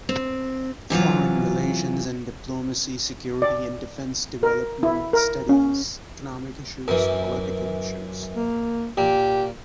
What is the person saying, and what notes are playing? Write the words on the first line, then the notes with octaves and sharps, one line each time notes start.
Foreign relations and diplomacy, security and defense, development studies, economic issues, political issues.
C4
C3 E3 F#3 F4
D5
A#4
E4
A#4
C#4
F#2 E3
A#3
A#2 G4